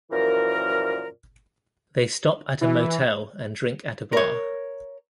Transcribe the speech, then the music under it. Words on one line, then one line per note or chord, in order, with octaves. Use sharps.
They stop at a motel and drink at a bar.
F#2 A#2 E3 F3 A#4
E3
A#4 C#5